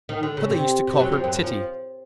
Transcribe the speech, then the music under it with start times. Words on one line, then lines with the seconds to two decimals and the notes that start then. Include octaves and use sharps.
So they used to call her Titty.
0.09 D#3
0.23 D3
0.37 C#3
0.50 C3
0.87 C3
0.99 F#2 F#3
1.12 F2 F3
1.24 F#2 F#3
1.44 F3